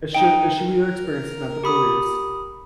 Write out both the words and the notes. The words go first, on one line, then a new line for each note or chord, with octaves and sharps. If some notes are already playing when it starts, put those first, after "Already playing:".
it should it should be their experiences, not the beliefs,
D#4 G5
A#4
G4 B5 D#6